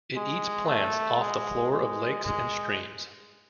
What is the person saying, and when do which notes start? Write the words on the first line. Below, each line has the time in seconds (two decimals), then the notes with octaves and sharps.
It eats plants off the floor of lakes and streams.
0.16 G#3
0.67 A3
1.19 G#3
1.71 G#3
2.24 G#3